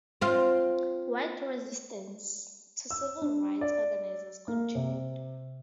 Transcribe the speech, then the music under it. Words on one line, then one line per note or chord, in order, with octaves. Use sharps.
White resistance to civil rights organizers continued.
C4 F4
E6
D4
D5
A#3
C3